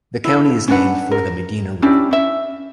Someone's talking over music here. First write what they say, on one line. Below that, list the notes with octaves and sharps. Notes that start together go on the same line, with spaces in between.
The county is named for the Medina River.
E4 A4
C#4 D4 B4 F#5
A#4
C#4 D4 E4 G4
C#4 E5